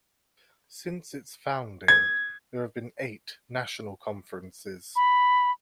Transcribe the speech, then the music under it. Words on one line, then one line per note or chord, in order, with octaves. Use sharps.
Since its founding, there have been eight national conferences.
G#6
B5